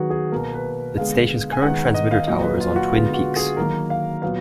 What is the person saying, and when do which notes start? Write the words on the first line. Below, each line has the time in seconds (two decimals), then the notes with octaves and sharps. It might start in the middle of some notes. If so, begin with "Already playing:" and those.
The station's current transmitter tower is on Twin Peaks.
Already playing: D#3 F#3 B3 F#4 G#4 B4
0.10 G#4
0.32 B2 A#3 A#4
0.54 B4
0.97 D3 G#3 B3 F5
1.52 G#5
1.62 D#3 G#3 B3 F#5
1.78 F#5
1.94 D#5
2.11 F5
2.27 A#2 F#3 A#3 D#5
2.43 B4
2.60 F4
2.76 F#4
2.93 D3 G#3 B3 F4
3.14 F#4
3.36 G#4
3.57 D#3 F#3 A#3 A#4
3.90 F5
4.22 A#2 F#3 B3 F5